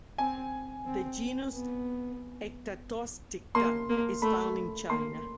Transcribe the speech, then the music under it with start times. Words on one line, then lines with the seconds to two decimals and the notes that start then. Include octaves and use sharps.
The genus "Ectatosticta" is found in China.
0.18 C4 G#5
0.86 C4
1.53 B3
3.55 A#3 C6
3.89 A#3
4.22 A3 B5
4.90 A#3 C6